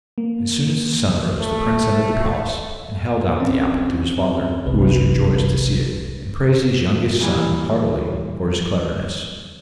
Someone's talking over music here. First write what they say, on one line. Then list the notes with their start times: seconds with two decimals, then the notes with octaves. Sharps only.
As soon as the sun rose the prince entered the palace, and held out the apple to his father, who was rejoiced to see it, and praised his youngest son heartily for his cleverness.
0.18 A#3
1.41 A3
3.40 C4 C#4
4.65 G1 C2 C3 B4
7.20 A#2 E3 G3